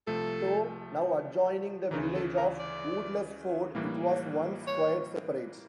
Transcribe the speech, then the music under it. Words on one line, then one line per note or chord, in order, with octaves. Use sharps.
Though now adjoining the village of Woodlesford, it was once quite separate.
C2 C3 F3 A3 A4
D2 C#3 E3 A#4
A4
A#4
D5
A2 E3 G3 A#3
C#5